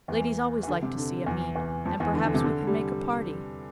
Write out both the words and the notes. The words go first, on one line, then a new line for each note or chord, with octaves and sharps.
Ladies always like to see a meet, and perhaps we could make a party.
E2 E3
E3
D3
C3
D3
E2 E3
E2 E3
F2 F3
E2 E3
D3
D3
C3
D3
G3